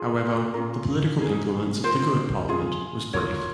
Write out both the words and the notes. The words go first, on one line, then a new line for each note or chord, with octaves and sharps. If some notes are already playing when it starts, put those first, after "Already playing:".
However, the political influence of the Good Parliament was brief.
Already playing: F4 G#4
C#4 F4 A#4
D#4 G#4
F4 A#4 C5
F4 G#4
F4 A#4 C#5